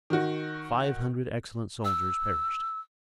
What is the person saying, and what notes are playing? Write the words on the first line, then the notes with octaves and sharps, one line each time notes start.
Five hundred excellent soldiers perished.
D#3 F#4
E6